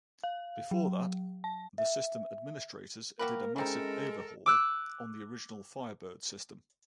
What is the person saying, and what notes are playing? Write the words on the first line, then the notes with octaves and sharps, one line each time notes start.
Before that, the system administrators did a massive overhaul on the original Firebird system.
F5
F#3
A5
E5
A#3 F#4 G4 A#4 B4
E3 G#3 C4 C#4 D#4 A4 A#4
D6 E6 F#6